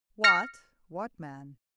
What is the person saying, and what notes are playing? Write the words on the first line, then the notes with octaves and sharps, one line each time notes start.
"What--what man?"
F6 A#6 C#7